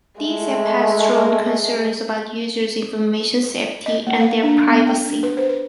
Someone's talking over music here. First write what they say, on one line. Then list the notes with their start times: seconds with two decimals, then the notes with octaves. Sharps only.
These app has drawn concerns about users information safety and their privacy.
0.21 G#3 A3
3.86 D#5
4.07 A#3
4.20 F5
4.43 D4
4.67 B3
4.87 G5
5.05 D4
5.23 B4
5.37 C5
5.49 B4